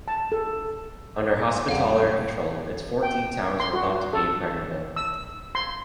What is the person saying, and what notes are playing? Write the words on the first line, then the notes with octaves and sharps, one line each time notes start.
Under Hospitaller control, its fourteen towers were thought to be impregnable.
A5
A4
F2 C#3 G3 F5 F#5
F#3 A3
G5
C6
F#4
A4
E6
C6